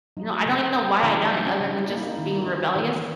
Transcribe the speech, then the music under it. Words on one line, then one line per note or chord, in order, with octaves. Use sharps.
you know, I don't even know why I've done it other than just being rebellious.
F#3 D#4
C#3
C#4
C#3 E3 E4
D#4
F#3
D#4
C#4
C#3
D#4
E4
A#3 D#4
E4
D#4
D#3 E4
D#4
E4
C#4 D#4
D#3 E3 E4